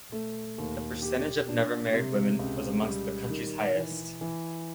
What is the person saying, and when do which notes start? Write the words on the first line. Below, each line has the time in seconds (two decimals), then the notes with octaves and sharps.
The percentage of never-married women was among the county's highest.
0.12 A3
0.58 D#2
1.02 G4
1.48 D4
1.93 C3
2.39 C#2
2.85 G3
3.29 D#3
3.75 E3
4.21 E3